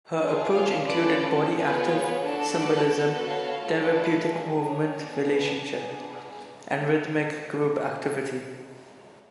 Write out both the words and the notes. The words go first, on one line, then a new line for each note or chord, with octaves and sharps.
Her approach included body active, symbolism, therapeutic movement relationship, and rhythmic group activity.
D4 F4 G#4
C#5 F5
C#4 F4 A4 B4 D5
B3 F4 G#4
C#5
D4 F#4 A4
B4 D5
B3 F#4 A4
C#5 F5
A3 D4 F4 A4
B4 D5
D4 G#4
C#5
B3 D4 G#4
B4
B3 D4 G#4